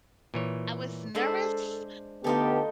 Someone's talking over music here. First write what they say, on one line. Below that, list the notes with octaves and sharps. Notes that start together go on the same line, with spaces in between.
I was nervous
A#2 E3 C#5
G#3 D4 A4 C5 E5
D3 A3 B3 D#4 F4 G4 A5